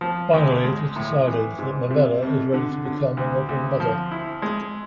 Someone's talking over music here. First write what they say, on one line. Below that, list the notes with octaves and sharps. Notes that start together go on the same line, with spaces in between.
Finally it is decided that Murbella is ready to become a Reverend Mother.
F3
D2
G#3
A2
E3
G#2
C3
F2
D3
D3
D2
D2
F3
E4
G#3